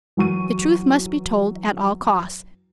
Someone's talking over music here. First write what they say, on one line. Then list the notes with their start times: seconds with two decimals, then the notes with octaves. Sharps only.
The truth must be told at all costs.
0.17 E3 F#3 C#6 D#7